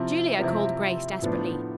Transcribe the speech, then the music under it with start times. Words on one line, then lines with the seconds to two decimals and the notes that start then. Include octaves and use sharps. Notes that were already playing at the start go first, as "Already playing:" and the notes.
"Julia," called Grace desperately.
Already playing: C3 F3 C4 E4
0.39 C3 F3 C4 E4
1.22 A2 F3 B3 D4